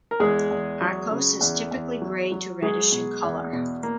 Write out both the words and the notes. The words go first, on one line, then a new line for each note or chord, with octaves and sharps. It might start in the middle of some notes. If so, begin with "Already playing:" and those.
Arkose is typically grey to reddish in colour.
A#4
E2 G#3 G#4
E2
F#3
C#3
E2
E2
F#3
F#3
F#3 G#3 G#4
B2
E2
B2
A#3